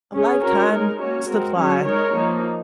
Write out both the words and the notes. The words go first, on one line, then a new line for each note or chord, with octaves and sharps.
A lifetime supply.
C#4 G#4 C#5
C#4 F#4 A#4 C#5
G#3 D#4 A#4
A#3 C#4 F#4 C#5
G#3 C4 F#4 A#4
F#3 C#4 G#4 C#5
G#3 D#4 A#4 C#5
F3 A#3 D#4